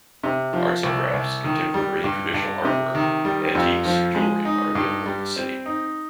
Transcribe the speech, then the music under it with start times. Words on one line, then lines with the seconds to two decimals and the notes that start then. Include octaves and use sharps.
Art and crafts, contemporary and traditional artwork, antiques, jewellery are available in the city.
0.23 C3
0.53 F3
0.83 C2
1.13 C2
1.44 D#3
1.74 G3
2.04 G2
2.34 G2
2.65 C3
2.95 D#3
3.25 G3
3.55 F2
3.85 F3
4.15 G#3
4.45 D#4
4.75 G2
5.06 G3
5.36 C4
5.66 D#4